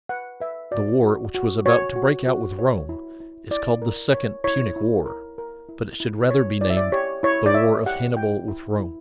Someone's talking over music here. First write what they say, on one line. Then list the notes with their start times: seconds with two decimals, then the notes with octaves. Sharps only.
The war which was about to break out with Rome is called the second Punic war, but it should rather be named the war of Hannibal with Rome.
0.09 B4 F#5
0.41 B4 E5
0.71 F#4 D5
1.03 F#4
1.35 F#4
1.66 F#4 C#5
1.96 F#4
2.27 F#4
2.59 C#5
2.89 E4
3.20 E4
3.51 E4 D5
3.82 A#4
4.14 C#5
4.44 E4 C#5
4.76 E4
5.06 A#4
5.38 A#4
5.69 E4
6.00 E4
6.31 C#5
6.61 E4 D5
6.70 E5
6.77 D5
6.92 G4 C#5
7.23 E4 C#5
7.46 D5
7.54 C#5 E5
7.86 G4 F#5
8.16 E4 G5
8.48 E4
8.80 E4